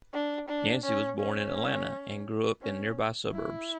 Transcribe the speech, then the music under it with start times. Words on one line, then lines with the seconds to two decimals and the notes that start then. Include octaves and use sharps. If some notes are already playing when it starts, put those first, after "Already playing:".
Yancey was born in Atlanta and grew up in nearby suburbs.
0.13 D4
0.49 D4
0.84 C#4
1.20 C#4
2.62 C#4
3.32 E4